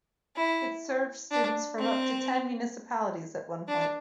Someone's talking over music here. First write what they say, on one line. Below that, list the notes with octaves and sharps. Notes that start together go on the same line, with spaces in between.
It served students from up to ten municipalities at one point.
E4
D4
C4
D4